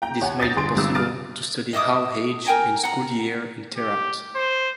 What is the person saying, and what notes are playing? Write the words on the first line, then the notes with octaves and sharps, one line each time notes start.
This made it possible to study how age and school year interact.
G5 A#5 G6
D#2 C#5 F#5 G#5
D#6 G6 A6 A#6
G1 G#4 C6 D7
G1 G2 E6
D#6 F6 A6 D7
D#5 E5 D6 D#6
A#4 G5 G#5 A#5
F#5 A#5
G4
C5